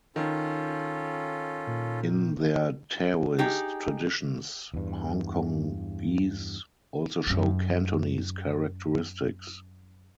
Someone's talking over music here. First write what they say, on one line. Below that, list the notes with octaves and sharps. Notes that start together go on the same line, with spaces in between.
In their Taoist traditions, Hongkongese also show Cantonese characteristics.
D#3 C#4 F4 A4
A#2
D#4 G4 G#4
E2 G2
F#2 F#3